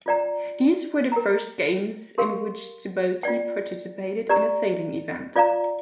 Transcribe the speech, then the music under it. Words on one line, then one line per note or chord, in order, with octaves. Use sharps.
These were the first games in which Djibouti participated in a sailing event.
F4 D5 G5 A#5
A#4 G5 A#5
G4 A#4 F5 C6
F4 D5 G5
G4 D5 A#5
F4 D5 F5 A#5